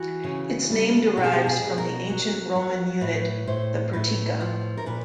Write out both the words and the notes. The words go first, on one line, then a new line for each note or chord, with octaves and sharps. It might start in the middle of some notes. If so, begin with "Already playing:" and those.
Its name derives from the Ancient Roman unit, the "pertica".
Already playing: E3 F#4
C#3
G3
B2 G4
G#4
G4
G#4
B2
A#4
F#3
F#3
A2 B4
A2 C5
A2 B4
F3
A#4
A#2 B4